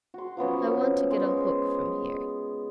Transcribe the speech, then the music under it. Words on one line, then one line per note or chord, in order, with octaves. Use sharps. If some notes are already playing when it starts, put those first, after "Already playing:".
I want to get a hook from here.
F#4 C6
F3 F#3 B3 C#4
G#3 B3